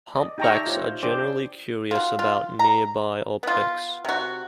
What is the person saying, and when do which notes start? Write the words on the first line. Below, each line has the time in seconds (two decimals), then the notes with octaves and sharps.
Humpbacks are generally curious about nearby objects.
0.15 D5 D#5
0.38 D#4 G4 G5 A5 A#5 C#6
0.51 D5 E5 A5
0.67 F4 G4 C5 C#5
1.03 D4 G#4 C5 D5 G5 D6
1.91 F4 F#4
2.19 F4
2.59 A#5
3.43 B3 F4
4.05 C3 F#4